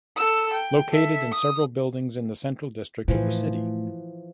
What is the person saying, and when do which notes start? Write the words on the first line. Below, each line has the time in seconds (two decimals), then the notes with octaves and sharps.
Located in several buildings in the central district of the city.
0.16 A4 E6
0.53 G5
0.91 A4 E5
1.32 D#6
3.08 A2 E3 F3